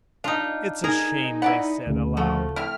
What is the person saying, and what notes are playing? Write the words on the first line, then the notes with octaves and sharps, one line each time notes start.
"It's a shame!" they said, aloud.
D4 D#4 F4
D#4 G#4 A#4 A#5
E4 D5 F#5 B5
D2 C#3
F3 A3 F#4
C4 E4 F6